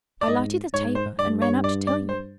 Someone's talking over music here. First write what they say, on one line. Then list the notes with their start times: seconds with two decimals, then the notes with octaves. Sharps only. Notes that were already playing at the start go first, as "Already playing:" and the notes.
I lighted the taper, and ran up to tell you.
0.21 D5
0.27 G#2 D#5
0.73 G#2 C#5
0.95 C5
1.19 G2 D5
1.42 C#5
1.64 D5
1.87 D5
2.09 C5